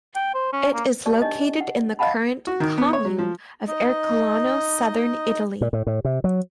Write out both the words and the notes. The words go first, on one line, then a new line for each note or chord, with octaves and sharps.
It is located in the current "commune" of Ercolano, southern Italy.
G5
C5
C#4
A#3
G4 D5 A5 C#6
D4 D#4 D#5
F#5
D#5 F5 F#5 A5 B5
F#4
D#3
B3
C#5
F#3
F3
D#4 D#5
A#2
A2
A2
C3
F#3